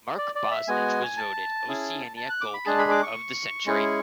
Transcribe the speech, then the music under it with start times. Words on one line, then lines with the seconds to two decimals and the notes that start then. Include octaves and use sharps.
Mark Bosnich was voted Oceania Goalkeeper of the Century.
0.18 D5
0.35 D5
0.51 E5
0.68 G#3 B3 F#4 G#5
1.17 A5
1.68 C#4 E4 G#4
2.17 A5
2.29 F#6
2.41 D6
2.54 B5
2.66 G#3 D4 G#4 A5
2.78 B5
2.91 D6
3.03 C#6
3.66 G#3 C#4 E4 G#4